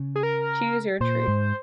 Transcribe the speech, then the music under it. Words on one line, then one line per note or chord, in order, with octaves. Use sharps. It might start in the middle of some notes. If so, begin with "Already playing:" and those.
"Choose your truth."
Already playing: C#3
G#4
A#4
A#2 C5
G#2